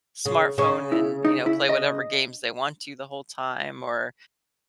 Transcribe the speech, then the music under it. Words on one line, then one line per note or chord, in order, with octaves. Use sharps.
smartphone and, you know, play whatever games they want to the whole time or
C#3
C#3 C#5
E4
D#4
E4
D#5